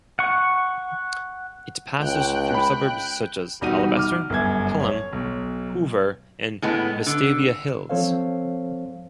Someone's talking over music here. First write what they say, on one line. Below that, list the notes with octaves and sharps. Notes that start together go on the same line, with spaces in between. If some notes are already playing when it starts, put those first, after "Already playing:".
It passes through suburbs such as Alabaster, Pelham, Hoover and Vestavia Hills.
F#5 C#6
C#2 G5 F#6
B5
E1 G3 D#4 F#4 D#7
D6 F6
G1 F#2 E5 G#6
C#5
B1
A2 G#3 B3
D3
F3 C4 A4 C5 C#5 F5